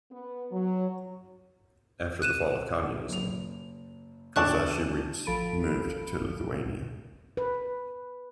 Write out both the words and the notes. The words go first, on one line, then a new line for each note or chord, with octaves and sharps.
After the fall of Communism, Kozakiewicz moved to Lithuania.
B3
F#3
F#6 D#7 E7
F#1 F7
D2 D5 A5 C#6 F#6 E7
A1 F3 A4 B5 D7
B4